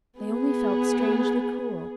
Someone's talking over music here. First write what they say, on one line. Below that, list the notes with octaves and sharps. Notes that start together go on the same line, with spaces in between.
They only felt strangely cool!
B3 G#4